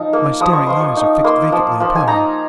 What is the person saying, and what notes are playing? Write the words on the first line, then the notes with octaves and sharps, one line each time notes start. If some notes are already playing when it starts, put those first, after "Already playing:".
My staring eyes are fixed vacantly upon him.
Already playing: F3 D#4
A#3
F3 D#6
C#6
F3 C6
C#6
D#4
A#3 C6
F3
F3
G#5
D#4 A#5